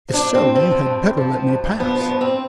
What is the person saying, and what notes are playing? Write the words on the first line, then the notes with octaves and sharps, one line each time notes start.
"If so, you had better let me pass."
F3
D4
G2
C4
G2
F3 C4
F3
G2
G2
F3
F3
G2
G2
F3 B3
F3
B3
G2
C4